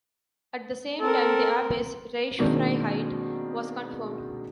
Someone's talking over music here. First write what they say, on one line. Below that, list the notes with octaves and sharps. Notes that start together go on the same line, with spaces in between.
At the same time the abbey's "reichsfreiheit" was confirmed.
C4 A4 A#4
B2 D#3 G#3 A#3 C4 D4